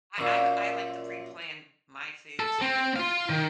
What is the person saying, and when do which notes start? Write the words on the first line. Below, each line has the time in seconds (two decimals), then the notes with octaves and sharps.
I I'm a I like to preplan my food too,
0.18 F#2 A#2
2.40 A4
2.62 C4
2.96 F4 F5
3.30 D#3